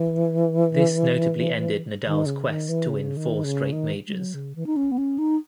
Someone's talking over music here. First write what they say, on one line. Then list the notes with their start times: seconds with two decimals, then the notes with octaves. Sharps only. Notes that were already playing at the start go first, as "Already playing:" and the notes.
This notably ended Nadal's quest to win four straight majors.
Already playing: E3
2.06 D#3
2.26 C#3
2.47 D#3
2.69 E3
2.89 C#3
3.17 D#3
3.44 C#3
3.72 D#3
4.08 G#3
4.13 F#3
4.34 C#3
4.56 E3
4.67 D#4
4.76 C#4
4.92 B3
4.98 C#4
5.18 D#4